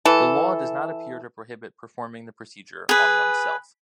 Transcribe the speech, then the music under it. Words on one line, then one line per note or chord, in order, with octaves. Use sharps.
The law does not appear to prohibit performing the procedure on one's self.
E3 A4
G#4 B4